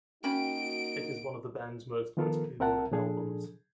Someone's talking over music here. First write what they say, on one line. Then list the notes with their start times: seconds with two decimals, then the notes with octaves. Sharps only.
It is one of the band's most critically lauded albums.
0.24 A#3 C#4 D#4 F#4 G5 B5 D7
2.17 D#3 F3 B3 F4 A4 A#4
2.60 C2 C4 A#4 E5 F#5 A5
2.91 A#2 F3 D4 G#4 A4